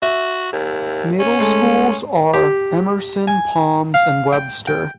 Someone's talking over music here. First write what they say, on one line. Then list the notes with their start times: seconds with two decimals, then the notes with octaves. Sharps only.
Middle schools are Emerson, Palms, and Webster.
0.02 F#4 E5
0.52 D#2
1.19 C#4
1.40 G#3 A3
2.34 G4
3.28 G#5
3.94 F5
4.33 G5
4.67 G5